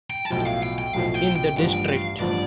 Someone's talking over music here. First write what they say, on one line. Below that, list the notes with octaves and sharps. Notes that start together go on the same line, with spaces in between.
In the district.
G5
A5
B1 A2 F3 G5
F5
G5
G5
B1 A2 F3 F5
G5
G5
A1 G2 F3 G5
G5
F5
A1 G2 F3 D5